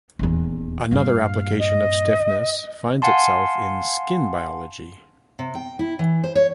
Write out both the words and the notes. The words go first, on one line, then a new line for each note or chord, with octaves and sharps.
Another application of stiffness finds itself in skin biology.
D#1 E2
G2 A#2 F5
D#5
F5 F#5 G#5 A5 C6
C3
G5
E4
E3
C5
C#5